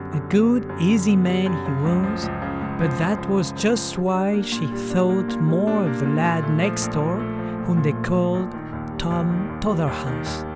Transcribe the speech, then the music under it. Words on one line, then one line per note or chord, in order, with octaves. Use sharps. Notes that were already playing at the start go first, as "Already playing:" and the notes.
A good, easy man he was, but that was just why she thought more of the lad next door, whom they called 'Tom Totherhouse'.
Already playing: F#2 D3 G3 B3
D3
B3
G3
F#2
D3
B3
G3
F#2
C#3
C#2
F3
C#2
C#3
C#2
F3
C#2
C#3
C#2
F3
C#2
G3
D4
A#3
A#2
G3
D4
A#3
A#2
G3
D4
A#3
A#2
A#2
A3
F3
A#1
A#2
A3
F3
A#1
A#2
A3
F3
A#1
D#3
D#2
G3
D#2
D#3
D#2
G3
D#2
D#3
D#2